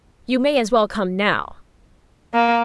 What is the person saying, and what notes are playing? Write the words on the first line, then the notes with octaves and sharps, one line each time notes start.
You may as well come now.
A#3